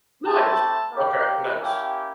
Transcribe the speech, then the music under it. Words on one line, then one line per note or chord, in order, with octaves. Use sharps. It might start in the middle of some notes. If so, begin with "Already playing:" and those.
Nice. Okay, nice.
A3 C4 E4 G4 A5
A#3 D#4 G4
A#3 C#4 E4 G4